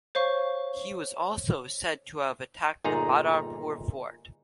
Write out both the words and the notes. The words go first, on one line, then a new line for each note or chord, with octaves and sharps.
He was also said to have attacked the Badarpur Fort.
C5 C#5 F5 C#6
G1 A#2 D#4 G#4 A#5